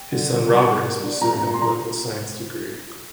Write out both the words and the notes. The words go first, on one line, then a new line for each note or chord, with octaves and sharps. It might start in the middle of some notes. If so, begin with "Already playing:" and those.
His son, Robert, is pursuing a political science degree.
Already playing: G5
D3
G3
G3 C6
G3
A#3
D4
A#2 A#5
A#5
A#2
A#5
C6
A#2 A#5